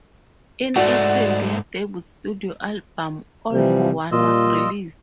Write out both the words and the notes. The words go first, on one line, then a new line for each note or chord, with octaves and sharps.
In April, their debut studio album "All for One" was released.
G#2 A3 F#4 D5
C3 E3 F3 G3
A#2 G3 F4 D#5 E6